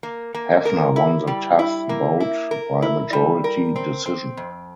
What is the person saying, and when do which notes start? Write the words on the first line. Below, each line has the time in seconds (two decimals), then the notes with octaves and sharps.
Hafner won the tough bout by majority decision.
0.03 A#3
0.34 A#3
0.65 A#4
0.96 E4
1.27 G3
1.59 E4
1.89 A#3
2.20 E4
2.51 A#4
2.82 E4
3.13 G3
3.44 A#4
3.76 C4
4.06 C4
4.37 F2